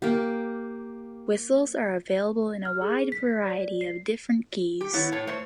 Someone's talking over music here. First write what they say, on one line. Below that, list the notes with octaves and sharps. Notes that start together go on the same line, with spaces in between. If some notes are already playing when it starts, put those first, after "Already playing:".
Whistles are available in a wide variety of different keys.
A#3 G4
F6
G#4
B6
D5
C7
G4
D#3 B3 E4 C#5
A2 A3 C#5
A3 C5 C#5